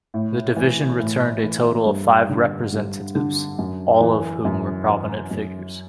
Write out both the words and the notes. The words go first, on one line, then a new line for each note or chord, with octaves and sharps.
The division returned a total of five representatives, all of whom were prominent figures.
A2
E3
A2
E3
G2
D3
G2
D3
F#2
E3
F#2
E3
F#2